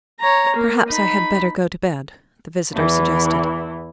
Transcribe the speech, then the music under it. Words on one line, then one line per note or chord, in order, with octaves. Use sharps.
"Perhaps I had better go to bed!" the visitor suggested.
C#5 A#5
A#3
D#4 B5
E2 E3